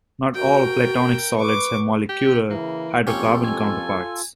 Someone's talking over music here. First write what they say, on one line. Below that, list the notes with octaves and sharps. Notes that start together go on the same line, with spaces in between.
Not all Platonic solids have molecular hydrocarbon counterparts.
F#4 A#4 G5
B4 C#6 D6
G4
C#3 E3 A#3
F2 A#3 C#4 F4 G4 A4 C#5
G#5